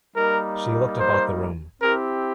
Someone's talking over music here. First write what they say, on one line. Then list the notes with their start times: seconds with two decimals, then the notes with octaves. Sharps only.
She looked about the room.
0.16 G3 A#3 D#4 A#4
0.99 C5
1.81 C4 E4 G4 A#4